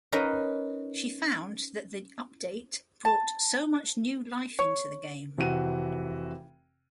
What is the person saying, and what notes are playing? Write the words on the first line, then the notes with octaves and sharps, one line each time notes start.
She found that the update brought "so much new life into the game".
C#4 D#4 A#4 B4 A#5
A5
C#5
F1 C3 E3 F#4 D#7